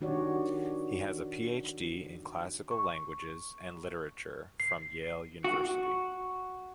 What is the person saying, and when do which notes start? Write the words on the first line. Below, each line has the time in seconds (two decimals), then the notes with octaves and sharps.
He has a Ph.D. in classical languages and literature from Yale University.
0.01 D#3 D4 F#4 G4 C#5 D5
2.71 C#6
4.60 C7
5.44 F#4